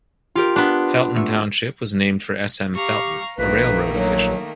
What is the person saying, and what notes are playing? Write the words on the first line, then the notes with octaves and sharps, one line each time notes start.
Felton Township was named for S. M. Felton, a railroad official.
F4 G4 A#4
B3 D4
A3
G4 F5 A#5 C#6
A#1 D#3 A3 A#3 B4
F#3